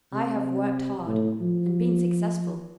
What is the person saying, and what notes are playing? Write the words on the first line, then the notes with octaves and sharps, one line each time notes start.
I have worked hard and been successful.
C3
A2
F3